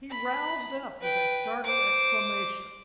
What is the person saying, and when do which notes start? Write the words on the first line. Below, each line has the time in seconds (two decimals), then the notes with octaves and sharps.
He roused up with a startled exclamation.
0.10 B5
1.01 B4 G5
1.64 C5 D6